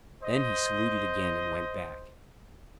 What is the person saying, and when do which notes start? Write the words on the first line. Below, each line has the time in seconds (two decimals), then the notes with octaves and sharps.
Then he saluted again and went back.
0.22 C5 D#5